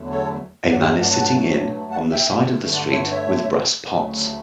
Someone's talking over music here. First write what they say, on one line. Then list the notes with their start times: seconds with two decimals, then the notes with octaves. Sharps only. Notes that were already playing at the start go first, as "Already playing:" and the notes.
A man is sitting in on the side of the street with brass pots.
Already playing: E2 D3 F#3 A3
0.10 A4 C#5
0.71 G2 F#3 A3 D5 F#5
0.81 E5 G5
1.00 D5 F#5
1.11 F#5 A5
1.91 F#5 A5
2.11 E5 G5
2.32 G2 D3 A3
2.72 D5 F#5
2.92 C#5 E5
3.11 C#5 E5
3.93 D2 C#3 F#3 A3